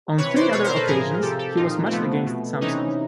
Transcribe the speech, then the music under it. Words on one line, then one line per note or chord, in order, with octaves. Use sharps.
On three other occasions he was matched against Sampson.
C3 E3 B4 C#5
C5 D5
B2 B4 C#5
A#4 C5
A4 B4
A2 F3 G#4 A#4
C3 F3 G4 A4
G4 A4
A#2 F3 D#4 F4
C4
C3 F3 A3 B3
B2
C3 E3 C#4 D#4